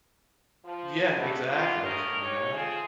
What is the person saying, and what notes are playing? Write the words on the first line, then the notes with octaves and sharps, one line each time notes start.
Yeah, exactly, you know?
F3
G2 G#3 A3 B3
F#2 F#3 G3 F4
D#2 A2 D3 C#4 A#4 D#5
D4 D#4 G4 C#5
A3 C4 F4 G#4